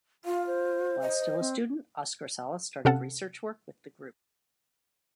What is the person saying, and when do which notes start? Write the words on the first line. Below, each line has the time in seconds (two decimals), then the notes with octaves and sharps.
While still a student, Oscar Sala started research work with the group.
0.25 F4 F5
0.47 C5
1.01 D#5
1.40 C4
2.85 C3 C#4 A4 F5 F#5 A5